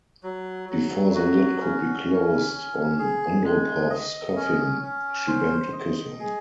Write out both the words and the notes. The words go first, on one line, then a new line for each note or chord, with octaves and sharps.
Before the lid could be closed on Andropov's coffin, she bent to kiss him.
F#3
F#3
F#4
C#4
C#4
C#4
G#4
G#3
D#5
C#4
C#4
C5
D#5
G#4